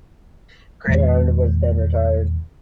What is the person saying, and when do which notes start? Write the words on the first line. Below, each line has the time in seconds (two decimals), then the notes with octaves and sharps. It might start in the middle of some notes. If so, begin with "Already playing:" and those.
Greyhound was then retired.
0.87 E2 A#2 D#3 G#3